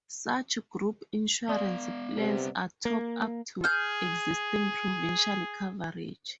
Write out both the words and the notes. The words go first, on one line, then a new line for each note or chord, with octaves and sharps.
Such group insurance plans are a top-up to existing provincial coverage.
B3 D5 F5 C6 D#6
C3 G3 B3
A#3
G#4 F6 G6